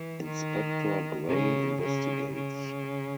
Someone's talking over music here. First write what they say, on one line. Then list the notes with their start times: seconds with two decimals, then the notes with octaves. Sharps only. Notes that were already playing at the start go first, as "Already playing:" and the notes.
Inspector Grey investigates.
Already playing: E3
0.23 D#3
1.29 C#3
1.82 C#3
2.34 C#3